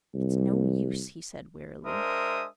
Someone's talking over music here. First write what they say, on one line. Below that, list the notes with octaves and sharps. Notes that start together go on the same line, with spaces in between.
"It's no use," he said wearily.
C2
G#3 D4 A#4 C5 E5 D#6